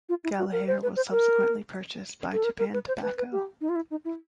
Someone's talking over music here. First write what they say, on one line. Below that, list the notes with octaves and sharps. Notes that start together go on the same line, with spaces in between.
Gallaher was subsequently purchased by Japan Tobacco.
F4
E4
F#4
A#4
C5
B4
C5
A#4
A4
A#4
A#4
B4
C5
B4
B4
G4
D#4
F4
E4
D#4
E4